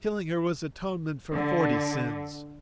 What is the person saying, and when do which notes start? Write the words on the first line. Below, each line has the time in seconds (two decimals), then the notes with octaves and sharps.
Killing her was atonement for forty sins.
1.33 D3